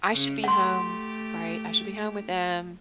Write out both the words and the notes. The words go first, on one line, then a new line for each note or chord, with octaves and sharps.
"I should be home, right? I should be home with him,
C#3
A3 G4 F#5 C6